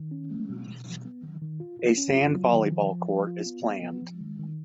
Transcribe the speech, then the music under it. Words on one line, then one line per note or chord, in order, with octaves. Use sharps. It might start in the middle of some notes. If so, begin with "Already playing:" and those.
A sand volleyball court is planned.
Already playing: D#3
C#4
G#3
B2
B2
B2
B3
D#3
D#3
F4
F4
C#4
F4
F#3
D#3
F3
F3
F3
F4
B3
B3
B3
F3
D#3
D#3